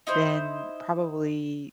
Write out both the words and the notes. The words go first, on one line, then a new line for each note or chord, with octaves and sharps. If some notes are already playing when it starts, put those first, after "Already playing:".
been probably
D#4 E4 C5